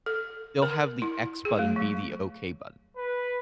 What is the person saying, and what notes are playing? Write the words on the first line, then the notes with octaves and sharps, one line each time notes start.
they'll have the x button be the okay button,
A4
A#4
E4
G#4
A3
F#3
B4